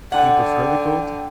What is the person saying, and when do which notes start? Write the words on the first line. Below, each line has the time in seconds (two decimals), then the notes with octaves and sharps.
Do you prefer the cold?
0.12 D3 F#5 G5